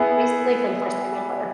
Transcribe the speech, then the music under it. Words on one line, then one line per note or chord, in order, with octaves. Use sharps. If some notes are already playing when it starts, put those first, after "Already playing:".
basically, for the first time ever.
Already playing: B3 E4 G#4